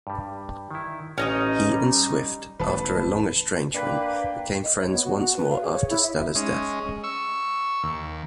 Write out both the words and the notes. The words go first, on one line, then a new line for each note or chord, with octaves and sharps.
He and Swift, after a long estrangement, became friends once more after Stella's death.
G2 G3
D#3 E4
A1 C#4 D#4 D#5
G3
E1 A1 D#3 B4 A5
A#3 D4 B4 G5
D#5
C#5
B3
F#4
F#4
B4
F5
G#4
C#5
E4
E5
D#4
G#3 C#4
C#6 E6
D#2